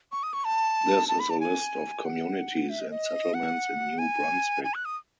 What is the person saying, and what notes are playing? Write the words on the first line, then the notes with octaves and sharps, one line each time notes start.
This is a list of communities and settlements in New Brunswick.
C#6
D#6
C#6
A5
A5
B5
A5
G#5
F#5
E5
D#5
D#5
F#5
G#5
G#5
F#6
D#6